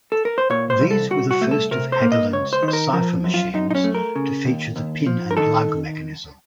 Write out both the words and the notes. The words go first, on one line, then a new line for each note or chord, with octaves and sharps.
These were the first of Hagelin's cipher machines to feature the pin-and-lug mechanism.
A4
A#4
C5
A#2 C#5
C5
C2
A4
C2 F#4
F#4
A3
A4
C3 A#4
C5
A#3
D#5
C#2 C#5
C5
D#3
C5
A#4
F3 A#4
F#2
F4
F#2 D#4
D#4
C#4
A3
A#4
C#3
D#2
D#2
F3
A#4
D#3 A4